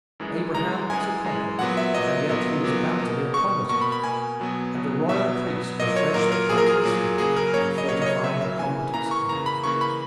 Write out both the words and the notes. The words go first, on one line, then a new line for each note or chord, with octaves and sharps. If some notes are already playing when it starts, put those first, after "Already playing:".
Abraham was a conqueror, and yet he was about to be a combatant, and the royal priest refreshed the conqueror's spirit, and fortified the combatant's heart.
F#2 E3 G#3
F#2 E3 G#3 A#5
F#2 E3 G#3 G#5
F#2 E3 G#3
A#2 F#3 B3 F#5
E5
A#2 F#3 B3 D#5
A#2 F#3 B3
A#2 F#3 B3
B2 A#3
B2 A#3 C#6
B2 A#3 C#6
B5
B5
B2 A#3 G#5
B2 F#3 B3
B2 F#3 B3
B2 F#3 B3 E5
B2 F#3 B3
A#2 F#3 A#3 D#5
C#5
A#2 F#3 A#3 A#4
A#4
A#2 F#3 A#3 G#4
A#4
G#4
A#2 F#3 A#3
C#3 F#3 A#3 G#4
A#4
C#3 F#3 A#3 C#5
D#5
C#3 F#3 A#3 C#5
D#5
C#5
C#3 F#3 A#3 E5
E5
C#3 E3 A#3 G#5
C#3 E3 A#3 A#5
C#6
C#3 E3 A#3 A#5
B5
C#3 E3 A#3 C#6
B5